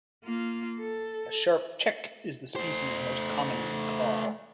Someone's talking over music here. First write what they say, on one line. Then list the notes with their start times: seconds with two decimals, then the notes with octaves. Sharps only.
A sharp "chek" is the species' most common call.
0.24 A#3 F4
0.80 A4
2.56 A3 C5